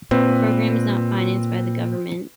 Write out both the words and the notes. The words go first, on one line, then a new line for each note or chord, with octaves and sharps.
The program is not financed by the government.
A#2 C4 B4